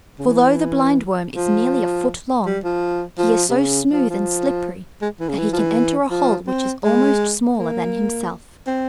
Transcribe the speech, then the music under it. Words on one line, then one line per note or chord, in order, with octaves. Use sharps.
For though the Blindworm is nearly a foot long he is so smooth and slippery that he can enter a hole which is almost smaller than himself.
C#3
E3
F3
G3
F3
F3
C3
C#3
F3
F3
G#3
E3
C#3
E3
F3
E3
F3
C4
G#3
A#3
C4